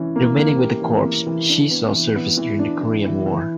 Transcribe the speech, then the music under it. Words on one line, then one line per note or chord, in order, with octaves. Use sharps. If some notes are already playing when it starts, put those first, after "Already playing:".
Remaining with the Corps, she saw service during the Korean War.
Already playing: E3 C#4
A#3
A#3
G4
E3
A#3
E3
D4
B3
E3
B3
E3
D4
E3
E3
E3